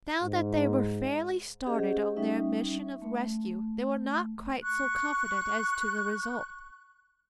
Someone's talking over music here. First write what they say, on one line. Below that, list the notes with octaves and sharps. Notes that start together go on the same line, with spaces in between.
Now that they were fairly started on their mission of rescue, they were not quite so confident as to the result.
G#2
C#4 G4 G#4 C5 D#5 F#5
G3 C#4 D#4 E5
A3
C#6 F#6